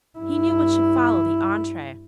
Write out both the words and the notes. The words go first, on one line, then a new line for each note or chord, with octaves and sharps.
He knew what should follow the entree.
G2 E4